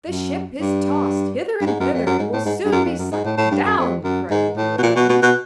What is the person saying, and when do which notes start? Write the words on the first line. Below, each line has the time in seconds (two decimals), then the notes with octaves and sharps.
'The ship is tossed hither and thither, and will soon be sucked down,' cried the crew again.
0.09 F#2
0.61 G2
1.61 G2
1.67 G#2
1.80 F#2
1.94 F2
2.07 F#2
2.19 G#2
2.33 A2
2.46 G#2
2.65 G2
2.72 F#2
2.85 F2
2.99 F#2
3.12 G#2
3.25 A2
3.38 A2
3.51 G2
3.64 F#2
3.78 F2
4.04 F#2
4.31 G#2
4.57 A2
4.78 B2
4.83 A#2
4.96 B2
5.09 B2
5.23 B2